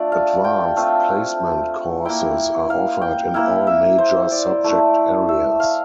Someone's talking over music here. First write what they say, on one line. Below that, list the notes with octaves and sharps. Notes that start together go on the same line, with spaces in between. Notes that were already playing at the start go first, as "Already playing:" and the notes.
Advanced placement courses are offered in all major subject areas.
Already playing: A3 D4 F4 D5
F5
G5
A3 C4 F4 F5
A#3 E4 G5
F5
G5
A#3 E4 F5
E5
C5
D5
A3 E4
E5
F5